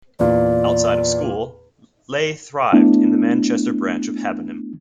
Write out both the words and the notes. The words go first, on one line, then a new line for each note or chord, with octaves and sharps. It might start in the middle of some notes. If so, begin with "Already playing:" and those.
Outside of school, Leigh thrived in the Manchester branch of Habonim.
E2 A#2 D5
A3 B3 D4 E4